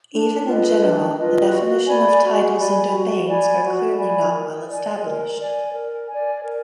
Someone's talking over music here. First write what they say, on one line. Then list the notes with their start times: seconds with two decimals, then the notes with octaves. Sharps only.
Even in general, the definition of titles and domains are clearly not well-established.
0.12 D4
0.47 F4 B4 D#5
0.83 D4
1.18 F4 B4 D#5
1.52 F#4
1.87 D5 G#5 B5
2.23 F#4
2.58 D5 G#5 B5
2.93 F#4
3.28 D5 G#5 B5
3.63 F#4
3.98 D5 G#5 B5
4.33 A#4
4.68 D5 G#5
5.03 A#4
5.39 D5 G#5
5.73 A#4
6.08 D5 G#5
6.44 A#4